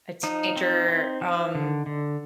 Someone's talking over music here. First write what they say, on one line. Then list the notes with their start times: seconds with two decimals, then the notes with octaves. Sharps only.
a teenager, um,
0.23 F3 D#4
0.56 C4
0.88 C4
1.21 F3
1.55 D3
1.86 D3